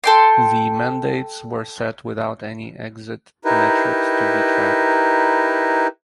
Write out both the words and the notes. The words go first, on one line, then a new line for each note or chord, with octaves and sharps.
The mandates were set without any exit metrics to be tracked.
A4 G5 C6
D#4 E4 G4 A#4 B4